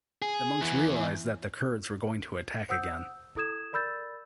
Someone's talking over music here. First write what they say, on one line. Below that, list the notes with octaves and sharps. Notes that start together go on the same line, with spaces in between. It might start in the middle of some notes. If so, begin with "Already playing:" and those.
The monks realized that the Kurds were going to attack again.
G#4
E2 E3
C5 F#5 D#6 E6 G6
E4 A4 D#6 G#6 E7
A#4 D5 B5 E6 G6 A6